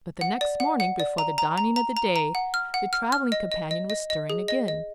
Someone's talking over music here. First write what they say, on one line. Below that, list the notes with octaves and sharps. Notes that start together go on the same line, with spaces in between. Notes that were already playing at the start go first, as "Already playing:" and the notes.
But the next morning, before the dawning of the day, the travelling companion was stirring again.
F#5
D5
F#5
F#5
D5
A#5
A#5
A#5
A#5
A#5
A#5
F#5
F6
F#5
F6
F6
D#5
D#5
D#5
D#5
D#5
G#4
D#5
D#5